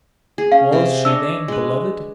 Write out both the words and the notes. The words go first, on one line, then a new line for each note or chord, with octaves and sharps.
Was she then beloved?
G#4
C#4 F5
C3
D4 C#5 D#5 E6
G#3 B4